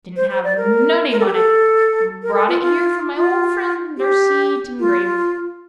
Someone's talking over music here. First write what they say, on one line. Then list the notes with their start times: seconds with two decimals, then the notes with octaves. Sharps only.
Didn't have no name on it--brought it here for my ole fren', Darcy, t' engrave.
0.16 C5
0.30 C5
0.44 D5
0.57 A#4
1.11 A#4
1.19 A4
1.26 G4
1.34 A4
2.23 A#4
2.34 A4
2.48 F4
2.61 F4
3.16 F4
3.98 G4
4.79 F4